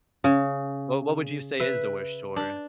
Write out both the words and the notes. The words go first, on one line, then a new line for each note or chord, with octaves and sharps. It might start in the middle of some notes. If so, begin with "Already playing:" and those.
Well, what would you say is the worst chore?
C#3
B4 E5
D4